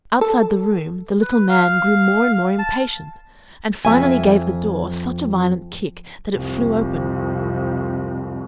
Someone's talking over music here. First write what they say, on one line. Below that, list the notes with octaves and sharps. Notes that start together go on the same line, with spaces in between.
Outside the room, the Little Man grew more and more impatient, and finally gave the door such a violent kick that it flew open.
A4
B4
F5
A5
F2 G#3 E5 G#5
C2 F2